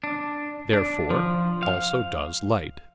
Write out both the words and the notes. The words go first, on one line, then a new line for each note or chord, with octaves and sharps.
Therefore also does light.
D4
D4
F3
F5